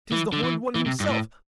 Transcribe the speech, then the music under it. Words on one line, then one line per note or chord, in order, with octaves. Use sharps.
'Tis the Horned One himself!
E3
D3
E3
E3
C3
G2
A2